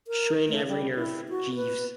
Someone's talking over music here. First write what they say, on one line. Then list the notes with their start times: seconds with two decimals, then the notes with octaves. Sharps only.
Strain every nerve, Jeeves.
0.07 A#4
0.48 A3
0.68 G3
0.95 E4
1.29 F#4
1.55 B4